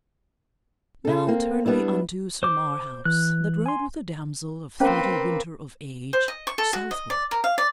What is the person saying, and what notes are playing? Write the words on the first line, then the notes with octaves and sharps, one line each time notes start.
NOW turn we unto Sir Marhaus, that rode with the damosel of thirty winter of age, southward.
C#3 A4
A#3 C4
G3 B3 D4 E4
C5 D6
E3 F#6
G#5 C6
A#3 C4 C#4 B4 C5
C5
D#5
C#6
A4
F#4
D#5
D5
A#4
F5
D5